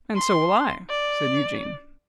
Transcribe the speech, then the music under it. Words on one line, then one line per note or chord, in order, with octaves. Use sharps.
'And so will I,' said Eugene.
C6
D5